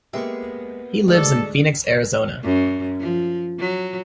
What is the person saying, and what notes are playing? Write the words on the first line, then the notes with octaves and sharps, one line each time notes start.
He lives in Phoenix, Arizona.
G#3 A#3 B3 G4 E5 C6 C#6
D2 G#2 F#4 A4 D5
F#2
F3
F#3